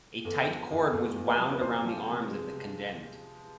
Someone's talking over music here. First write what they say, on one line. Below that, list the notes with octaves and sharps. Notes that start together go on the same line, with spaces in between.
A tight cord was wound around the arms of the condemned.
E2 A4
F3
E2
E2 A4
E2
B4
F3
B4
C3 C5
F3
C3
G#3
C3